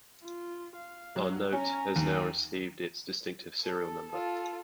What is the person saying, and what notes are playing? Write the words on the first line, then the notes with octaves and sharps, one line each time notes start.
Our note has now received its distinctive serial number.
F4
F5
F#3
C#4 G#5 A#5
D#2
A4
F4 A4